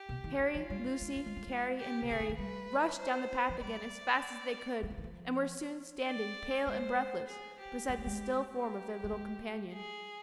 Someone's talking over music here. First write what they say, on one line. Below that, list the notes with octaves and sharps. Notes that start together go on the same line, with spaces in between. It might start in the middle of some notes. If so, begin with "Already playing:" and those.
Harry, Lucy, Carry, and Mary, rushed down the path again as fast as they could, and were soon standing pale and breathless beside the still form of their little companion.
Already playing: G4
B2
D#3
D#3
F3 F4
G3
B3
G#3
B3
G#3
G3
G#3
G4
C3
D3 G#4
D#3
F3
G3 B4
C5
F3
G3 D5
G3
F3
D#3
F3
D5
G#3 C5
G#4
G4
G#3 G4
B3
G#3
G4
G3
G#3
G#4